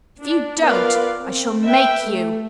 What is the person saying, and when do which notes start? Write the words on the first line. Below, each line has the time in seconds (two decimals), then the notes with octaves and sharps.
"If you don't, I shall make you."
0.22 D4
0.63 B3 F4 A#4 B4 D5 F5
1.22 C4
1.64 B4 E5 G5
2.03 A3